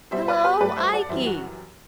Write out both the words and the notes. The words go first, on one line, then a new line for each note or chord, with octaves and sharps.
"Hello, Ikey!"
B2 G3 C5 E5
C5
B4 D5
G4 B4
G2 F#3 A3 B4 D5
C5 E5
D5 F#5
F#2 E3 G3 C5 E5
F#4